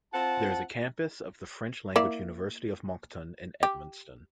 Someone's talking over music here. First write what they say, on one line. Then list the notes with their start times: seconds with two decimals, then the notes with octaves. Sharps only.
There is a campus of the French language University of Moncton in Edmundston.
0.14 C4 F4 F#5 A5
1.96 A#3 E4 D5
3.63 G4